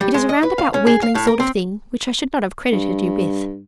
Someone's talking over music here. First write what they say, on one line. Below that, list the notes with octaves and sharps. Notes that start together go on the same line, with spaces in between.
It is a roundabout wheedling sort of thing which I should not have credited you with.
G3
G#3
D#5
B4
F5
C#4
G#4
F5
A2
A#4
C4
G2